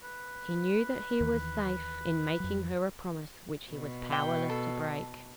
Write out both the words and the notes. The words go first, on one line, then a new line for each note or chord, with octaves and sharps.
He knew that he was safe in making her a promise which he was powerless to break.
B4
D#2 D#3 E3
F2 F#3
B2
G5
A4